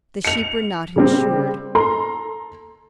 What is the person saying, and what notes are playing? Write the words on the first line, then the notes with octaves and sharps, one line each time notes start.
The sheep were not insured.
C#7 F7
C#3 G3 C4
A4 A#5 C6